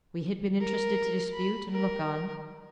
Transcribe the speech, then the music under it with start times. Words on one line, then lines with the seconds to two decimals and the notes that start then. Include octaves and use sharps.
We had been interested to dispute and look on.
0.60 A#4
1.33 B5
1.71 A#4